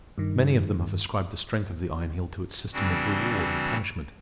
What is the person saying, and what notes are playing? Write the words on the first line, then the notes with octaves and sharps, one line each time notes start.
Many of them have ascribed the strength of the Iron Heel to its system of reward and punishment.
G2 D#3
C#3 E3 G3 C4 D4 F#4